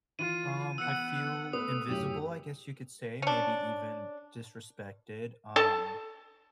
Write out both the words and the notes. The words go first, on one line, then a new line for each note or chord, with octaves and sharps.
Um, I feel invisible, I guess you could say, maybe even disrespected, um
E3 F4 D#7
B3 F#5 E6 C#7
A3 B3 B4 D#6
F#2 A2 G4 F#7
C#4 D4
A4 A5